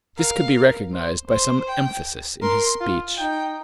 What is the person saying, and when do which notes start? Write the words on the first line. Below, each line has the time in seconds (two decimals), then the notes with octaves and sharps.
This could be recognized by some emphasis in his speech.
0.17 A#4 F5
0.55 A#4
0.93 C5
1.29 C5
1.68 G5
2.42 A#4 C6
2.81 F4
3.17 D#4 G5